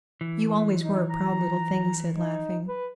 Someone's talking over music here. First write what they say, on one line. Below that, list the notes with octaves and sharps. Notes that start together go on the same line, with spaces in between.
"You always were a proud little thing," he said laughing.
E3
D#4
A#5
D#4
B4